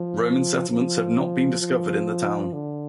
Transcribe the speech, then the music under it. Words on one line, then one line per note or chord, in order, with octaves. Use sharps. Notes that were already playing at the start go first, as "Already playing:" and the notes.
Roman settlements have not been discovered in the town.
Already playing: F3
F3
F3
D3